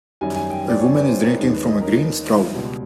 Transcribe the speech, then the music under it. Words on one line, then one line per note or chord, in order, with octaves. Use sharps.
A woman is drinking from a green straw.
F#2 D#3 G3 G#5
G#5
G5
D5
C#5
B4
C5
A#4
D#2 D#3 G#3
B4
D#5
A#4
A#4
E4
F4
C#2 B2 G3 F#4